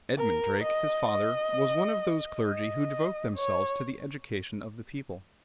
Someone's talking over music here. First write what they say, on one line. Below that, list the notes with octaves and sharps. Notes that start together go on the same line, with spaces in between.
Edmund Drake his father, was one of those clergy who devote themselves to the education of the people.
A#4
D#5
D#5
D#5
C#5